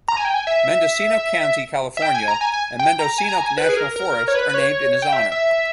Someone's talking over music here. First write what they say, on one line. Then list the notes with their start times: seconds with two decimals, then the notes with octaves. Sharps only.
Mendocino County, California and Mendocino National Forest are named in his honor.
0.08 A#5
0.17 G#5
0.25 G5
0.34 G#5
0.47 E5
1.97 E5
2.02 G5
2.14 G#5
2.28 A#5
2.41 G#5
2.53 G#5
2.79 G5
2.99 A#5
3.18 G#5
3.29 A#5
3.38 G#5
3.58 B4
3.69 G#4
3.77 A#4
3.96 A#4
4.28 C#5
4.35 B4
4.49 B4
4.54 C#5
5.02 G5
5.13 E5
5.32 E5